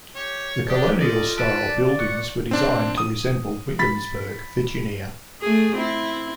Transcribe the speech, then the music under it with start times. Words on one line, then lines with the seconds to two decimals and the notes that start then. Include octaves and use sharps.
The colonial-style buildings were designed to resemble Williamsburg, Virginia.
0.15 G4 C#5
0.69 D4 G4 D5 D#6
1.00 F4 A4 D5 D#5 D#6
1.37 B4 A5 E6 D7
1.66 D5
1.99 F#5 C#6
2.51 C4 D4
2.98 D#6
3.79 B5 A6 B6
5.42 A3 G#4
5.75 C4 E4